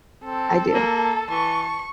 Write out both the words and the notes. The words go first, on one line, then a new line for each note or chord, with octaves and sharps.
I do.
C4 A4
A#3 A5
E3 C#6